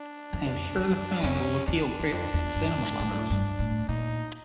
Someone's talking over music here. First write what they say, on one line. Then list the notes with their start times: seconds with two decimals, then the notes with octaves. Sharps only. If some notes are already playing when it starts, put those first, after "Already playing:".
I am sure the film will appeal greatly to cinema lovers.
Already playing: D4
0.33 F2
0.78 F#2
1.23 F2 C#4
1.66 E2 D4
2.00 E2
2.12 F2
2.33 E2
2.56 G2
2.78 G#2
3.00 A2
3.08 G#2
3.18 A2
3.31 G2
3.59 A2
3.89 A#2 D#4